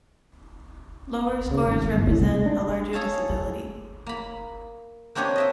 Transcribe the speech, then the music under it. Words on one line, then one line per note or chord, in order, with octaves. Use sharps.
Lower scores represent a larger disability.
C#3
G#1
G1
A2
C2
G#3
D4
G#4 A4 C#5 F5 A5
A#3 B5
A#3 C4 D4 G4 C#5 D#5
D#5 E5 G5